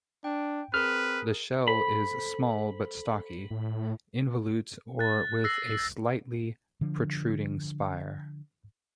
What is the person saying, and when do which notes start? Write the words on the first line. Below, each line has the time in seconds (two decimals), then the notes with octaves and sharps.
The shell is small but stocky; involute or with a slightly protruding spire.
0.24 D4 G5
0.74 C4 G#4 A#4 B4 F6
1.68 A4 C5 B5
3.50 A2
4.99 F#6 A6
5.44 E6 F#6 A#6 C7
6.81 D3 F3 D4